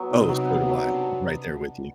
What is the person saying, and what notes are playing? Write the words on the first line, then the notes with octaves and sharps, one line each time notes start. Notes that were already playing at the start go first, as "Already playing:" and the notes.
Oh, so do I, right there with you.
Already playing: F#3 B3
C3 D#4
F#3
B3
F#3
D4